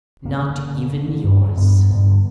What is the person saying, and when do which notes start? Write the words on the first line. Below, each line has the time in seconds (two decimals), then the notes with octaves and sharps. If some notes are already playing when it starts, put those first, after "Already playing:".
"Not even yours."
0.25 D3 A#3
0.42 D3
0.58 D3
0.75 D3
0.91 D3
1.08 D3
1.24 G2
1.41 G2
1.57 G2 B3
1.73 G2
1.90 G2
2.06 D3